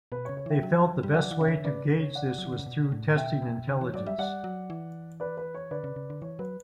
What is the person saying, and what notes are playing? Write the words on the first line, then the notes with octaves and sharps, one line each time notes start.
They felt the best way to gauge this was through testing intelligence.
B2 B4
C#5
C#3
C#5
E3 E5 G5
F#3
G3
F#3 D5 F#5
E3 F#5
C#3 C#5 E5
D3
C#3 B4 D5
C#5
D5 F#5
F#3
E3
D3
C#3
B2
A2
B2 E5 G5
B2
D3
E3 C#5
F#3 D5
G3 E5
G3 D5 F#5
F#3
E3
B4 D5
B4
C#5
D3 B4 D5
C#3
C#3
D3
E3 C#5
F#3 B4